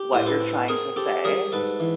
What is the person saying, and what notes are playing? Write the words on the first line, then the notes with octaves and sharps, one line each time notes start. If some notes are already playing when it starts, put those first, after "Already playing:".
what you're trying to say.
Already playing: G4
A2 C5
A4 B4
C4
C4 G#4 A#4
C4 G4 A4
G3 G#4 A#4
G#2 A4 B4
E3